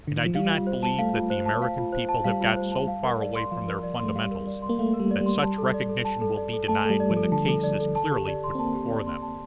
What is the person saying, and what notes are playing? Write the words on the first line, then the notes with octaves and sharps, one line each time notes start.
And I do not believe that the American people have got so far away from their fundamentals that such recognition will be denied when the case is clearly put before them.
D3
D#3
F3
G3 F5
F4
C5
A5
A3 F5
F4
C5
A5
F5
F4
C5
A5
G3 F5
F4
C5
A5
F5
A#4
D5
C6
F3 F5
A#4
D5
A3 C6
G3 F5
A#4
D5
C6
A#3
A3 F5
A#4
G3
D5
G3
C6
A5
A4
D5
A4
A5
A4
D5
A4
A3 A5
G3 A4
D5
F3
A4
D3 A5
A4
D3
D5
A4
A5
G4
D5
C6
C4
A#3 A5
G4
D5
C6
A5